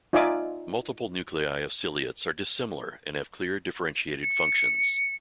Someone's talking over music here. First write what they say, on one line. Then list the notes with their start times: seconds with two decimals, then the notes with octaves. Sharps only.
Multiple nuclei of ciliates are dissimilar and have clear differentiated functions.
0.13 D#4 F4 D5 E5 G#5 D6
4.23 C#7